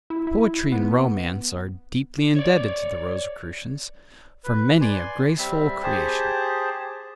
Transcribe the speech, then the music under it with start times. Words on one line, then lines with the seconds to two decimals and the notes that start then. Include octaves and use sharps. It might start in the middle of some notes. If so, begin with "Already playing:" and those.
Poetry and romance are deeply indebted to the Rosicrucians for many a graceful creation.
0.10 E4
0.27 E4
0.72 B3
2.36 C#5 D5
4.44 B4
4.81 D5 G#5 C6
5.38 G3 C4 E5
5.84 G4 G#4 C5 A5